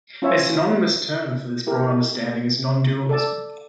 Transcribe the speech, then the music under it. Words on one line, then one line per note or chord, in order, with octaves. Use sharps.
A synonymous term for this broad understanding is nondualism.
C#4 F4 C#5 E5
E4 G4 A#4
A4 D5 A5